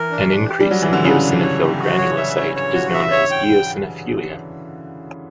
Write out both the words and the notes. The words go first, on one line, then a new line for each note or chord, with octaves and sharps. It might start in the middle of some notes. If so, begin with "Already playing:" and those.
An increase in eosinophil granulocyte is known as eosinophilia.
Already playing: E3 A#4
D4
D4
G4
G3
F#3 D4
E3 D4
D3
C#3 D4
D4
C#5
G4
F#4
C#5
E5
C#5
C#5
F#4
E5
C#5
G5